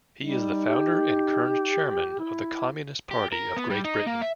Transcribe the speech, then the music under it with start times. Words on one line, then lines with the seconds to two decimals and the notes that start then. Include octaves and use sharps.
He is the founder and current Chairman of the Communist Party of Great Britain.
0.21 G3 D#4
0.67 G4
2.19 E4
3.11 G4
3.32 A#4
3.57 B3
3.70 G3
3.84 D#4
4.06 A#3
4.22 E5